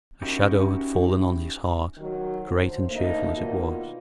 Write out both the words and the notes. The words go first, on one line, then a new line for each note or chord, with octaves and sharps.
A shadow had fallen on his heart, great and cheerful as it was.
C#4 D#4 E4 F#4 G4 A#4
D#3 F#3
D2 C5
A3 A#3 D4 D#4
B2 D#3 A#3 F4